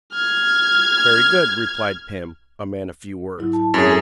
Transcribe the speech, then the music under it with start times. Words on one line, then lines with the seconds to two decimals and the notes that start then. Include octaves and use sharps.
"Very good," replied Pim, a man of few words.
0.13 F6 G#6
3.38 G#2 F#3 E4
3.53 A5
3.74 F#2 C4 C#4 G#4 C#5
3.86 G#3 A4